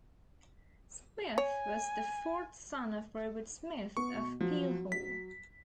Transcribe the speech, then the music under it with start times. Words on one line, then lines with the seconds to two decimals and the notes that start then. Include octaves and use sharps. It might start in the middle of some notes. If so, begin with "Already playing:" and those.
Smyth was the fourth son of Robert Smyth of Peel Hall.
1.38 C#5 G#5
3.97 B3 C#6
4.14 B2
4.40 F3 F#3
4.92 B6